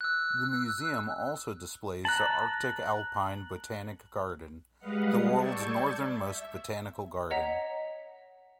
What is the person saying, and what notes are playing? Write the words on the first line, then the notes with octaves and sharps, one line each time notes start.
The museum also displays the Arctic-alpine botanic garden, the world's northernmost botanical garden.
E6 F#6
A5 A#5 F#6 F#7
G3 G#3 B4 D#5 F5 F#5
D5 A5 C#6 E6 G6 G#6
E5
C#5 D#5 F#5 A#5 B6